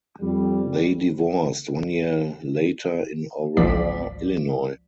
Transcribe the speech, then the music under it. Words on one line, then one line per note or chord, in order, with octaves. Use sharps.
They divorced one year later in Aurora Illinois.
F2 G3
G#1 C#2 E3 F3 D5 B6